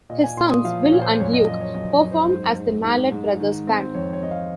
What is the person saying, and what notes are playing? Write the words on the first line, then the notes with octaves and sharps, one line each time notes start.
His sons, Will and Luke, perform as The Mallett Brothers Band.
A#2 D#5
G#5
A#2 C6
D#6
F3 F5
C#5
A#2
C5
F#2 C#5
D#5
F3 D#5
C#5
F#2 D#5
C#5
F#2
C5
G#2 C5
G#2
G#2
G#2
D#3
C4
F2 C#5
C#5
C4 D#5
F5